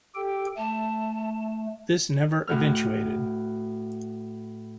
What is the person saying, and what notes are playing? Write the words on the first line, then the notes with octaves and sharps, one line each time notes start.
This never eventuated.
G4 A4 G5
A3 A5
A2 F#4 F6